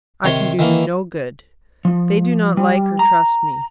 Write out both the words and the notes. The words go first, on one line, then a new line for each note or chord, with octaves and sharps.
I can do them no good--they do not like or trust me.
C3 D#3 C#5 C6
D#3 E3 A#3
F3
G3
A#5